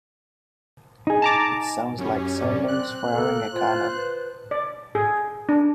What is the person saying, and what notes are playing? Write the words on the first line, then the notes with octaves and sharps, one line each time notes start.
It sounds like someone's firing a cannon.
D#4 G#4
A5 A#5 D6
F#2 C#4 G4
D5
C4 F#6
A#3 A4
F4 C5
B4
D5
G#4
D4